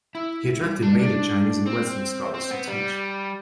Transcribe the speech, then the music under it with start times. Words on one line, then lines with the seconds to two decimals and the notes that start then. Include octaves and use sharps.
He attracted major Chinese and Western scholars to teach.
0.15 E4
0.66 G3
0.82 D4
0.99 D4
1.66 C4
2.34 C4
2.51 B3
2.68 G3